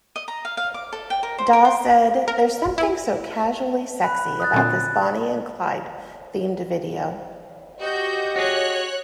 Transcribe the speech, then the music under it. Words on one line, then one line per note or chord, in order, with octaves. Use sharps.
Daw said There's something so casually sexy about this Bonnie and Clyde-themed video.
D#5
A#5
F5
F5
D6
A4
G5
A#4
C5
A#4
C5
A#4
E4
B5 F#6
D#6 F#6 A6
A#2 D3 C4
F#4 G4 D#5 G6
F#4 G#4 C#5 F#6